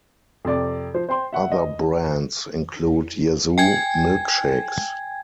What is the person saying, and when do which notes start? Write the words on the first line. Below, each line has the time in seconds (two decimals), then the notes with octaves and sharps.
Other brands include Yazoo milkshakes.
0.45 F2 C3 D5 D6
0.94 F3 C5
1.08 C5 G5 C6
1.33 E5 F#5
1.52 D#5
3.58 G5 G#5 G#6